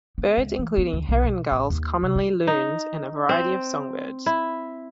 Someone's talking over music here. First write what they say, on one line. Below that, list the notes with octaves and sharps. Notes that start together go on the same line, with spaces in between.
Birds include herring gulls, common loons, and a variety of songbirds.
B3
C#2
E3
B3
D2
B1
B2
A1
D#2
C3
F4
D#4
C4
E4